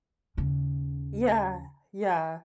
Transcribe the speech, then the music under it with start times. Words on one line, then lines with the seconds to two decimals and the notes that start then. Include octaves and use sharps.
Yeah, yeah.
0.37 D#2 C#3